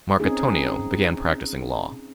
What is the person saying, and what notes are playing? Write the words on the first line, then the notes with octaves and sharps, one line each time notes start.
Marcatonio began practicing law.
C4 C#4 D#4 G#4